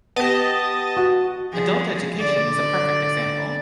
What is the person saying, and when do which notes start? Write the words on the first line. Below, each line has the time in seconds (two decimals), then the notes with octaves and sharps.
'Adult Education' is a perfect example.
0.16 B3 G4 D#5 A5
0.97 F#4
1.51 F3 G#4
2.17 D3 D5